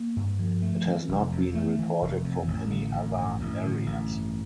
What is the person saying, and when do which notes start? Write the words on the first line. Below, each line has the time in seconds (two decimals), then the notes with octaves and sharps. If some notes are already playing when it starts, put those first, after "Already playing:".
It has not been reported from any other areas.
Already playing: A#3
0.17 G2
0.39 F3
0.62 A3
0.85 E3
1.08 F1
1.32 F2
1.55 A3
1.79 E3
2.02 F1
2.24 F2
2.48 A1
2.70 D3
2.93 A1
3.17 G2
3.40 A1
3.64 D3
3.86 A1
4.10 G2